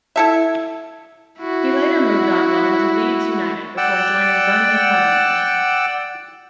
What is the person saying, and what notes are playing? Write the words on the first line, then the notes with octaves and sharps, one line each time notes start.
He later moved on loan to Leeds United before joining Burnley permanently.
E4 A4 E5
E4 F#4
D5 F#5 G5 E6